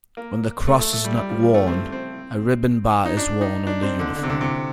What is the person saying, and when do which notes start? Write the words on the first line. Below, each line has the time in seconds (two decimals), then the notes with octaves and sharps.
When the cross is not worn, a ribbon bar is worn on the uniform.
0.17 A#3
0.67 A3
0.80 A3
0.93 A3
1.04 G3
1.17 G3
1.29 F3
1.43 F3
1.54 A3
1.67 C4
1.92 C4
3.05 D#4
3.17 D4
3.41 D#4
3.67 D4
3.83 C4
3.99 D3
4.16 D3
4.23 C3
4.30 D3
4.41 C3